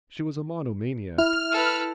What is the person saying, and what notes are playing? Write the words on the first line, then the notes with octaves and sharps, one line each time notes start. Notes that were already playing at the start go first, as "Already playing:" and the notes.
She was a monomaniac.
E4 F6
A4 B4